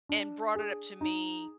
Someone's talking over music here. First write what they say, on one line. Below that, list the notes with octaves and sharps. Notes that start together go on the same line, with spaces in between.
and brought it up to me
D4
G#4
D#4